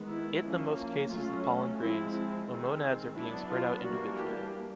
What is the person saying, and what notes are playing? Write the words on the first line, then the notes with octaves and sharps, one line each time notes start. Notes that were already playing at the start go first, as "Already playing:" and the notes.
It the most cases the pollen grains, the "Monads" are being spread out individually.
Already playing: D#3 G#3 B3
E4
F3 A#3 C#4
F#3 A3 C#4 F4
F3 G#3 C4 E4
D#3 G#3 C4
F#3 B3 D4 E4
F4
E3 G3 A#3 D4 F#4
G4